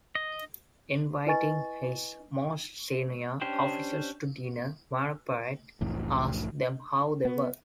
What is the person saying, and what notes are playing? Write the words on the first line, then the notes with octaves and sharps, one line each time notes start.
Inviting his most senior officers to dinner, Bonaparte asked them how they were.
D#5
E4 B4 D#5 G#5 C#6 A6
C#4 D4 G4 C5 G5
F1 C2 A2 E3
B3